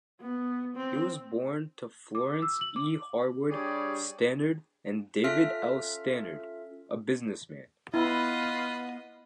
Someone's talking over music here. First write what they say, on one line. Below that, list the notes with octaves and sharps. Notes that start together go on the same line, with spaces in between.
He was born to Florence E. Harwood Stannard and David L. Stannard, a businessman.
B3
C4
D6
E6
F#7
D6
G3 D4 G4 G#4 C#5 D5
C#4 F4 A4 E5 F6 B6
B3 E4 F4 B4 D#5